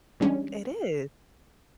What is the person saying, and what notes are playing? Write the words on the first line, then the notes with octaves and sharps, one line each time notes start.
It is.
E3 G3 G#3 C#4 D4